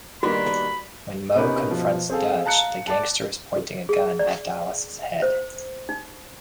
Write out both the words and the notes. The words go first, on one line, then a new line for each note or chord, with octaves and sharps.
When Moe confronts Dutch, the gangster is pointing a gun at Dallas' head.
D#3 G3 A#3 B3 D4 F#4 B5
C3 B3 C#4 D#4 A#4 B4
B2 F3
C4 G#4 A4 F5
F5 A5 A#5 F#6 C#7
D5 A5
G#4
D5
C5
D#4